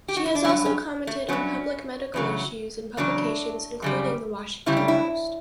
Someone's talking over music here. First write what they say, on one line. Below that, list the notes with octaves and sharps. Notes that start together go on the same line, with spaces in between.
She has also commented on public medical issues in publications including the "Washington Post".
G4
F#4
E4
D4
G2 F#3 C#4
C#4
A3
G2 F#3 C#4
E2 C#3 F#3
E2 C#3 F#3 D4
F#2 C#3 G3
F#2 C#3 G3 E4
D4
E4